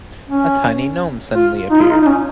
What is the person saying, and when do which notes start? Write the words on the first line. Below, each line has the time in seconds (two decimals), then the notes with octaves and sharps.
A tiny gnome suddenly appeared.
0.29 C#4
1.36 F4
1.70 D#4
1.81 F4
1.91 D#4
2.02 D#4
2.06 C#4